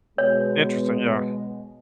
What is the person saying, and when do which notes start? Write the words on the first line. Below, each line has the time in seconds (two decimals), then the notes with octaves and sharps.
Interesting, yeah.
0.18 B2 G#3 B3 C#5